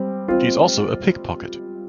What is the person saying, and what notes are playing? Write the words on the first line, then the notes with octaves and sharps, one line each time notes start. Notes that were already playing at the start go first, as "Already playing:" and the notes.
She is also a pickpocket.
Already playing: G3 C4
C4 F4